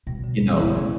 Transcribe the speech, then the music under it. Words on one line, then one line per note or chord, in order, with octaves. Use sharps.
you know,
B2 G3
D3
B3
E4
D3
C#3 A3